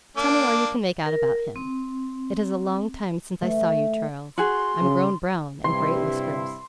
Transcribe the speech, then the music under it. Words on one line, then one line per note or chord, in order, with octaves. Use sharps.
Tell me all you can make out about him. It is a long time since I saw you, Charles; I'm grown brown, and great whiskers.
A#3 D4 D6
A#4
C4
A3
F#4 G#4 C6
C#3
G2 C3 G3 E4 C6